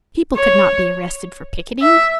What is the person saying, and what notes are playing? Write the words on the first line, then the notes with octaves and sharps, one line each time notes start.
People could not be arrested for picketing.
C#5
E5